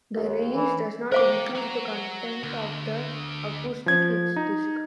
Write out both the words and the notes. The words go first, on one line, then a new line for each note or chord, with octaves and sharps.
The release does not include the content of the "Acoustic Hits" disk.
D#2
E3
A#4 C5 F5 G5 D6
F#4 A#5
D2
F3 G#6
D#4